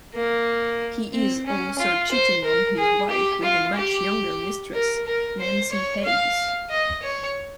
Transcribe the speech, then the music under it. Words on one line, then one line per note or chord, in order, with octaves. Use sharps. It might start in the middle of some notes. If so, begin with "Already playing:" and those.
He is also cheating on his wife with a much younger mistress, Nancy Hayes.
A#3
C4
C#4
F4
C5
A#4
G#4
G4
F4
G4
A#4
A#4
C5
C#5
F5
D#5
C#5